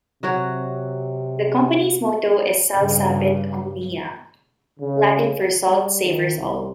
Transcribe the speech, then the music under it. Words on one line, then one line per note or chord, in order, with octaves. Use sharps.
The Company's motto is "Sal Sapit Omnia", Latin for "Salt Savours All".
C3 F#3 F#4 C#5
G2 C#3
C#3
G3
D#3
C2